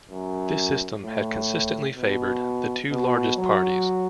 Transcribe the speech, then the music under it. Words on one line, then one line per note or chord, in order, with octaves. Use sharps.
This system had consistently favoured the two largest parties.
F#2
A2
B2
B2
F#3